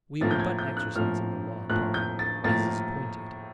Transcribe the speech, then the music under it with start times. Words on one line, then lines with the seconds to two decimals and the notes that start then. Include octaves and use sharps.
We were but exercising the law upon him, as is appointed....
0.21 A2 F3 A#3 A6
0.31 G6
0.40 G#6
0.59 G6
0.77 F#6
0.96 A2 F3 A#3 F6
1.70 A2 F3 A#3 F#6
1.94 G6
2.19 A6
2.44 A2 F3 A#3 A6